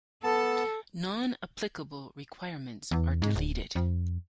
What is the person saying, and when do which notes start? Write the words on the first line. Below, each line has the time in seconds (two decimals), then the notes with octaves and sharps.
Non-applicable requirements are deleted.
0.24 B3 A4 A5
2.91 E2
3.22 G#2
3.35 D1
3.75 F2